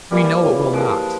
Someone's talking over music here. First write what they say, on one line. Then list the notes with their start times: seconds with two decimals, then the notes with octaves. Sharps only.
We know it will not.
0.11 E3 G3 A#3
0.43 F4 G#4 C#5
0.73 F3 G#3 A#3